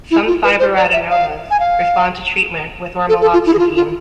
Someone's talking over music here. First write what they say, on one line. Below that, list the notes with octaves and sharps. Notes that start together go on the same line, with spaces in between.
Some fibroadenomas respond to treatment with ormeloxifene.
E4
F4
B4
C5
D5
E5
F5
G#5
F5
A4
A4
F4
E4
G#4
F4
F4